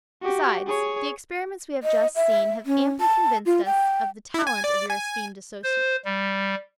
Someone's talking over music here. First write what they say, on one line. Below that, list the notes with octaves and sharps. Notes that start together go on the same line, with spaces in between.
Besides, the experiments we have just seen have amply convinced us of the talent of your esteemed associates...
F#4 G4
G#4 C#5
D#5
E5
C#4
A5
F4
G5
E4
G#5
D5
G#5
C5
G3